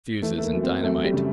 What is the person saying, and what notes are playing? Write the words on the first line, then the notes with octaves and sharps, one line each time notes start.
Fuses and dynamite.
E3 A3
A3
A#3
F#2
C4
F#2 A3
G3
C#3